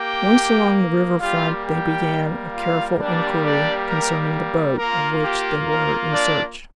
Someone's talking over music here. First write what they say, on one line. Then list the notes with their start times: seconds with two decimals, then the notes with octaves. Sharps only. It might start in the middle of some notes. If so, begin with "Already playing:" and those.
Once along the river front they began a careful inquiry concerning the boat of which they were in search.
Already playing: A#3 G4 G5
1.21 G3 A#3 F4 G4 F5
1.65 G4 G5
2.54 F4 F5
2.99 G3 A#3 D4 G4 D5
3.44 D4 D5
3.89 A#4
4.78 A#3 F4 A#4
5.24 G4
5.67 A#4
6.12 D4 D5